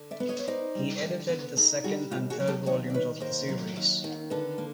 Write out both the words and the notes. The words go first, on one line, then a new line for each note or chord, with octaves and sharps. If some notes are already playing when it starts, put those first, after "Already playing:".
He edited the second and third volumes of the series.
Already playing: D3
D5 E5
B3
C#5 D#5
C#5
D#4 C5 D5
G3
D3
B3
D#4 G#4 A#4
G3 F#4 G#4
D#2 F4 G4
F#4 G#4
F#3
G4 A4
D#2 C#5 D#5
D5
D#3 B4 C#5
D#2 A#4 C5
F#3
D#2
D#3
D3 A4 B4
A#3